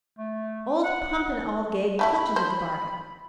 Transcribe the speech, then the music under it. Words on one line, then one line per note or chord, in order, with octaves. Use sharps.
Old Pump and Aldgate clutches at the bargain.
A3
F#5
G3 A3 E4 B5
C5